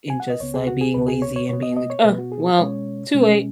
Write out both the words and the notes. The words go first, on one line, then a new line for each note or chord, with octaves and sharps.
and just, like, being lazy and being, like, "Uh, well, too late,"
G#5
F#5
D#5
C#2 C#3 B3 C#5
G#4
F#4
G#4
C#2 C#3 B3 B4
G#4
C#5
C#5
B2 B3 C#5
D#5
D#5
C#5
B2 B3 B4
F#4
G#4
B2 G#3 C#4 C#5
B2 G#3 C#4